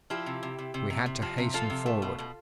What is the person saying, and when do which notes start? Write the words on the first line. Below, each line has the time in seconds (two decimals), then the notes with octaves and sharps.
We had to hasten forward.
0.10 F3 E4 G4
0.26 C3
0.43 C3
0.58 C3
0.74 C3
0.90 C3
1.06 C3
1.22 F3
1.38 C3
1.54 F3 F4 A4
1.70 C3
1.86 A3
2.02 B2
2.18 B2